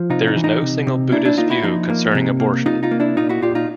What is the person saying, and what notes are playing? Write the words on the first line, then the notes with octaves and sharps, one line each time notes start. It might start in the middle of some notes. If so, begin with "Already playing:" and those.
There is no single Buddhist view concerning abortion.
Already playing: F3
C3 D#4 F4
D#4
E3
D#4
C3
C3
A#3 D4 E4
D4 E4
A#3 D#4 F4
E4 F#4
F3 D#4
A#3
C3
A#3
C3 D#4 F4
D#4 F4
A#3
D4 E4
A#2 D#4 F4
E4 F#4
A#2 F4 G4
D#4 F4